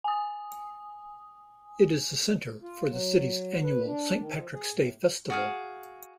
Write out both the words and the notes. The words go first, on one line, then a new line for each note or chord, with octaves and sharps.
It is the center for the city's annual Saint Patrick's Day Festival.
G#5 D#6
F4
F#3
B4
D4
D#3
F3
G#4
A2
F#4 G#4 F5